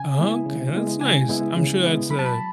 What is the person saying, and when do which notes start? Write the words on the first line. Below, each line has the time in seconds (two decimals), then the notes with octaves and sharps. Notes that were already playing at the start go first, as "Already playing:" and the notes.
Okay, that's nice. I'm sure that's, uh,
Already playing: C#3 G#5
0.19 G#3 B3 E4
0.46 C#3
0.74 G#3 B3 E4
1.01 C#3 G#5
1.29 G#3 B3 E4
1.56 C#3
1.83 G#3 B3 E4
2.11 F#3 B5
2.19 A5
2.26 B5